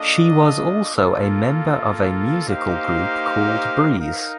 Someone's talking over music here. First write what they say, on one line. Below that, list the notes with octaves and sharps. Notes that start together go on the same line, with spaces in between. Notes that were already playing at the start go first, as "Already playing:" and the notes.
She was also a member of a musical group called Breeze.
Already playing: A#3 D4 F4 A4 D#5
A#3 F4 A4
A#3 D#4 G4 C5 F5
D#4 A#4 F5